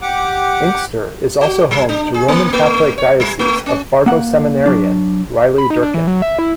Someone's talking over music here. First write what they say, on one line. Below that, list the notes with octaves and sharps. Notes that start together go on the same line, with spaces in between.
Inkster is also home to Roman Catholic Diocese of Fargo seminarian, Riley Durkin.
G4 F#5 D6
F#4
G3
D4
G#4
A#3
A3
C#5
G3
A3
C#4
A#3 F#5
F#3 D4
B5
D#4
D4
E3
F#3
E5
E4